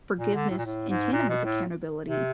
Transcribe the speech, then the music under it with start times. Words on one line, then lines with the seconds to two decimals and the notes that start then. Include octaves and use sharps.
forgiveness in tandem with accountability,
0.19 A#2
0.34 D3
0.50 A2
0.58 A#2
0.66 A2
0.89 G#2
1.13 A#2
1.29 B2
1.45 A2
2.08 C3